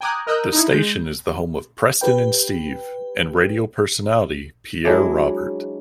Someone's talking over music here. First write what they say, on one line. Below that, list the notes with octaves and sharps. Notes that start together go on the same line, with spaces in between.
The station is the home of "Preston and Steve" and radio personality Pierre Robert.
G5 G#5 A#5 D6 D#6 F#6
A#4 D#5 D#6 E6 F#6 G6
D#4 E4
G#3 G6
G4 B4 G5
F#3 G#3 D4 E4